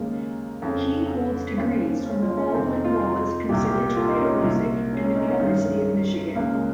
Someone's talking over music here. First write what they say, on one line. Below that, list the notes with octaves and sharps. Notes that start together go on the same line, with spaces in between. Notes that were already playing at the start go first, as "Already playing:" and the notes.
He holds degrees from the Baldwin-Wallace Conservatory of Music and the University of Michigan.
Already playing: D#2 C#3 G#3 A#3
F2 C#3
D#2 C#3 C4
C#4
F4
C#4
F2 C3 D#3 C4
D#4
F4
F4
C2 A#2 G4
G4
F4
D#4
C#4
G#3
C2 A#2 A#3
C#4
C#4
D#4
C#4
G2 D#3
C#2 C#3 A#3
G#3